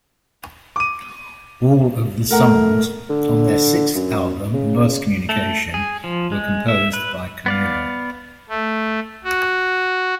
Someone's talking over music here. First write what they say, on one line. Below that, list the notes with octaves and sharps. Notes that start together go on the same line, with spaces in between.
All of the songs on their sixth album "Buzz Communication" were composed by Komuro.
D6 D#7
A3 A#4 F#5 A#5
D3
F#2
C#3
A3
G#4
F3
G#3
E5
B4
B3 D5 F5
A3
F#4